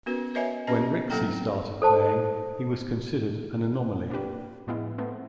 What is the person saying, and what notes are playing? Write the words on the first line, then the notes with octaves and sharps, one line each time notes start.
When Rixey started playing, he was considered an "anomaly".
B3 C#4 F#4 A#4 B4
A#4 B4 C#5 D#5 E5 G#5
B3 C#4 G4 B4 D#5 A5
F#3 A#3 C4 A4 G5 A#5
A4 C5 A5
A#3 D4 F4 G4 B4
A2 F3 G#3 B3 E4 F4
A3 B3 C4